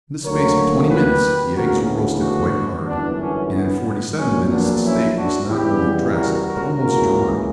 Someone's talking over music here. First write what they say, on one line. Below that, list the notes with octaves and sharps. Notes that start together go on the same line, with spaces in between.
In the space of twenty minutes the eggs were roasted quite hard, and in forty-seven minutes the steak was not only dressed, but almost dry.
D2 D3 F#3 A#3 A#4 C#5
G4 B4
D2 C#3 E3 B3 F#4 A#4
D4 F#4
G1 F#2 E3 B3 D4
C#4
B3
A#1 A#2 F#3 C#4
B3 D4
C#4 E4
D4 F#4
E2 C#3 E3 G3 B3 E4 G4
F#4 A#4
F#4 A#4
C#2 C#3 E3 A#3 F#4 A#4